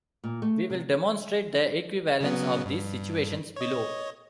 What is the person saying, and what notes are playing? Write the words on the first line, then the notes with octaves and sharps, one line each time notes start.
We will demonstrate the equivalence of these situations below.
A#2
A3
C3
C#3 F#3 B3
G2
C#5 D#5